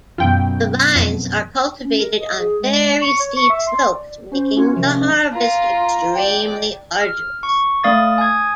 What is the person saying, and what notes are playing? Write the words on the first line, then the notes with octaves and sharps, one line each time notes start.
The vines are cultivated on very steep slopes making the harvest extremely arduous.
F#2 B2 F4 G5
F2
C#4
A#4
D#5
G#4
G#3
C#6
C#5
C#6
E5
C6
D5
C#4 C5
C#4 F4 F#4 C#5
C3 D#3 F3 A3 C#4
F4 A#5
D5 G5
F6
C#6
A3 D5 F5 D#6 A6
G#5 D#6 G#6